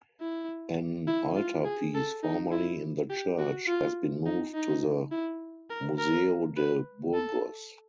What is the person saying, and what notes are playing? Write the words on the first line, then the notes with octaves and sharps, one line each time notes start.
An altarpiece formerly in the church has been moved to the Museo de Burgos.
E4
E4
F4
G#4
A4
D#4
E4
G4
F#4
F4
D#4
D#4
E4
A#4
A#4
B4
A4